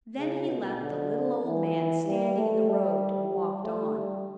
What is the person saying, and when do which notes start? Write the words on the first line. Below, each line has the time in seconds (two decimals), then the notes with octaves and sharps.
Then he left the little old man standing in the road, and walked on.
0.18 C#3
0.49 B2
0.81 D3
1.44 E3
2.07 G3
2.38 A3
2.70 G3
3.33 G3
3.64 A3
3.96 G3